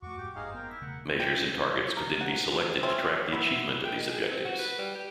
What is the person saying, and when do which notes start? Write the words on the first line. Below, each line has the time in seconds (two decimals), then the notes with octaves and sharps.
Measures and targets could then be selected to track the achievement of these objectives.
0.02 F2 A3 F#4 C#6 D6
0.18 F1 G#2 G4
0.35 G1 D#4 G#4 C5 F5
0.54 B3 A#4 G5
0.69 E4
0.81 E1 C#3 A3 F#5
1.20 G5
1.97 A#4
2.21 F#5
2.83 C4 C#4 E5
3.32 B3 E4
3.85 G5
3.97 D#3
4.10 G#4
4.30 C4
4.44 F#4
4.59 B4
4.78 G3
4.95 G4